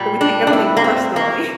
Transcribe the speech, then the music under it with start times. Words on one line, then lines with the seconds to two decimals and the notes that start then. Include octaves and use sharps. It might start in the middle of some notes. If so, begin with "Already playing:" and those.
So we take everything personally.
Already playing: A#2 G3
0.21 D4
0.47 D4
0.53 E4
0.77 A#3
0.84 C4
1.16 A#3